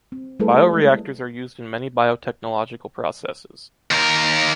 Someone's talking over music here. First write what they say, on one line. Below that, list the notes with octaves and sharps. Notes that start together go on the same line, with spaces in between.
Bioreactors are used in many biotechnological processes.
C4
G3 A3 E4 G#4 A4 B4
G#3
D#2 A#4